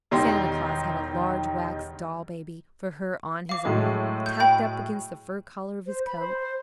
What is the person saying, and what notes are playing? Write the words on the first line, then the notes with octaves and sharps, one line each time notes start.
Santa Claus had a large wax doll-baby for her on his arm, tucked up against the fur collar of his coat.
E1 D#3 D#4 G4 C6
F5 D6
A2 F#3 G#3
G6
G5 B5
C5
B5
C5